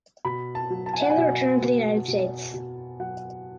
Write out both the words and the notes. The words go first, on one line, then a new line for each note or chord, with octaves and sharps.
Taylor returned to the United States.
B2 B5
A5
F#3
A5
G#5
F#5
G#5
B2
B2
B2
B2
F#3 F#5